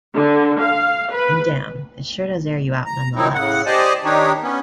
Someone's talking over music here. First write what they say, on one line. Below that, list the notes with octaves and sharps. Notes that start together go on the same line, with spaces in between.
And damn, it sure does air you out nonetheless.
D3
F5
B4
A#5
D#3 F3 F#3 C4 D#4 E4
A2 C#3 F#5
G4 C5 D5 D#5 G#5 A5
D#3 D4 D#4 G4 C#5
B3 C#4